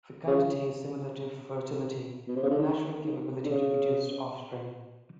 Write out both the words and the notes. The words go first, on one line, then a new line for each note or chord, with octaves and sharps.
Fecundity is similar to fertility, the natural capability to produce offspring.
C#3
B2
C3
C#3
D3
D#3
D#3
D3
C#3